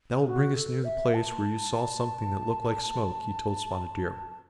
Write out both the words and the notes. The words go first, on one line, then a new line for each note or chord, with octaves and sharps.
"That will bring us near the place where you saw something that looked like smoke," he told Spotted Deer.
F#4
A4
E5
A5